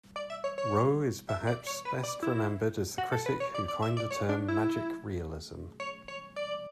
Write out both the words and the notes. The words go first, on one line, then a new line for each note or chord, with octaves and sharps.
Roh is perhaps best remembered as the critic who coined the term magic realism.
D5
E5
C#5
C#5
E5
D5
C#5
B4
D5
E4
F#4
A4
B4
C#5
D5
D5
E5
D5
C#5
D4
E4
C#5
C#5
D5